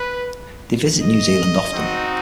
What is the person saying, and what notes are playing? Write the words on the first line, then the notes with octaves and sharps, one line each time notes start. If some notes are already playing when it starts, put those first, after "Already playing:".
They visit New Zealand often.
Already playing: B4
D#5
C4 D#4 F#4